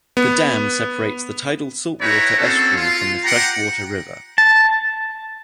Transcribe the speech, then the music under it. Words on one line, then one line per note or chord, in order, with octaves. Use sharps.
The dam separates the tidal salt water estuary from the fresh water river.
B3
D#4 E4 B4 C#5 G5 A#5
A#3 C4 C#4 F#4 A4
F4
G4 F#5 G5 A#5
A5